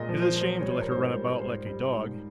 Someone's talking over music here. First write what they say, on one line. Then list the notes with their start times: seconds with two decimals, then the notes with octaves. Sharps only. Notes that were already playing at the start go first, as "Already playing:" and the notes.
It is a shame to let her run about like a dog.
Already playing: A#2 G#3 D#5
0.09 F3
0.22 C5
0.36 F3
0.41 C5
0.61 G3 C#5
0.71 C5
0.81 A#4
0.87 G#2 C5
1.14 G3
1.40 G#2 C5
1.66 G3
1.92 G#2